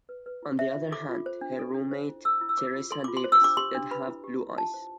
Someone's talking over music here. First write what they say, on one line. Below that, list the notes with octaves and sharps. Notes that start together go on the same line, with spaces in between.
On the other hand, her roommate, Teresa Davis, did have blue eyes.
B4
B4
E4
C5 E5
F4
A4 D6
F4
C5
D4
A4
D4
C5
E4
A4 E6
E4
E6
C5 D6
F4
A4 C6
F4 D6
C6
C5
E6
D4 D6
G4 C6
D4
B4 B5
E4
G4
E4
F4 A5
C5